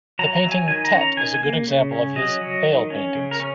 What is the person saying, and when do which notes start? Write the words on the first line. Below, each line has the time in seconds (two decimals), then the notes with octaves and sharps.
The painting "Tet" is a good example of his "Veil Paintings".
0.19 F#3 A#5
0.35 A#5
0.43 F#3
0.52 G#5
0.68 D#3 G#5
0.85 A#5
0.93 C#4
1.01 A#5
1.17 D#3 G#5
1.34 G#5
1.42 A#3
1.67 C#3
1.91 C#4
2.16 F#3 D#5
2.41 F#3
2.66 D#3
2.90 C#4
3.15 C#3
3.31 A#4
3.40 C#4